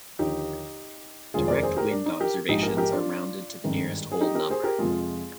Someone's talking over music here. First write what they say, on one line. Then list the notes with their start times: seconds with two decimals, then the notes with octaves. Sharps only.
Direct wind observations are rounded to the nearest whole number.
0.19 D#2 D3 F3 D#4 G4
1.34 F1 D#2 D#3 G#3 F4 G#4
1.48 A#4 D5
1.63 G#4 C5
1.77 G4 A#4
1.91 D4
2.06 D#4
2.20 G4 A#4
2.49 A#1 G#2 F3 G#3 D#4 G4
2.63 G4 A#4
2.77 G4 A#4
2.92 D4 F4
3.64 G#1 G2 D#3 G#3
4.12 G#4
4.21 D#4 G4
4.35 G4 A#4
4.51 G#4 C5
4.64 G4 A#4
4.78 F2 C3 F3 G#3 F4 G#4